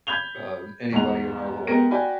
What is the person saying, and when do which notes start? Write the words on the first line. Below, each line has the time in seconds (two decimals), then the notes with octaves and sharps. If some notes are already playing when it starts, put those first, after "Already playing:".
uh, anybody in our little
0.07 B5 G6 G#6 F7 G7
0.92 E2 G#2 F#5 F7
1.67 G#3 B3 G4 A#4 A#6 D7
1.91 F#4 D5 G5 G#5 B5